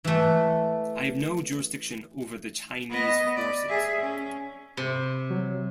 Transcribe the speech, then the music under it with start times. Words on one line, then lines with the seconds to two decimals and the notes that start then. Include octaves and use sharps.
I have no jurisdiction over the Chinese forces.
0.04 E3 A3
2.90 B3 D#5
3.36 D5
3.69 G#4 E5
4.00 C#4
4.77 C3
5.30 F#3